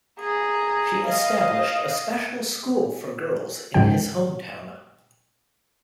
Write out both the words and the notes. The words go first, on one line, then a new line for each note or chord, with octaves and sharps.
She established a special school for girls in his hometown.
G#4 A#5
D#5 F5
G#2 C#3 F3 G5